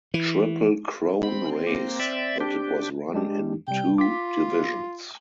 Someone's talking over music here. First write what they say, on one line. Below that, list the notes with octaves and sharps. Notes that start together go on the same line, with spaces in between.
Triple Crown race that it was run in two divisions.
E3
C4 B5
A#3
D5 E5
D4 G4
G#3 D4 G4
C3 G3 G5
F4 D6 B6